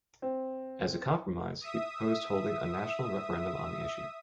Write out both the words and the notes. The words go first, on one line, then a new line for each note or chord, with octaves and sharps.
As a compromise he proposed holding a national referendum on the issue.
C4
E5 D#6